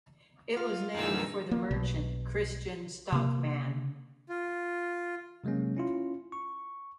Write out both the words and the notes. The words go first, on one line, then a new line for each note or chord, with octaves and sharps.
It was named for the merchant Christian Stockmann.
F4 F5
F2 A#2 D3 E3 D#4 A#4 E6
A#3
B1 B2
C3 A#3
F4
C3 F#3 G#3 A#3 C#4
C#4 E4 F4
C#6